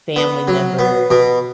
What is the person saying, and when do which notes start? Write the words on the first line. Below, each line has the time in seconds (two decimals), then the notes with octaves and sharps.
family members,
0.16 B3
0.48 F#3
0.79 B3
1.10 B2